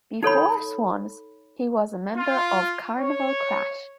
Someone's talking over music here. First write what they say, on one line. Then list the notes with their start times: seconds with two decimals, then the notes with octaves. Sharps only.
Before Swans, he was a member of Carnival Crash.
0.23 D#4 A4 C#5 B5
2.16 F4
2.99 C#5